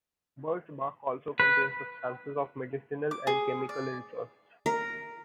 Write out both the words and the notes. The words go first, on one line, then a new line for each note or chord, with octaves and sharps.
Birch bark also contains substances of medicinal and chemical interest.
B4
D6
G#4
D5
A#4